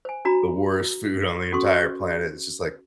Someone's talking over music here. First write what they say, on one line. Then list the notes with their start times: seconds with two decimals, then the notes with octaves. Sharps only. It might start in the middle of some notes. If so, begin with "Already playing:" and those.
the worst food on the entire planet, it's just like,
0.05 C5 G#5
0.25 D4 F#4 A#5 B5
1.52 C#4 F#4 A4 C6 C#6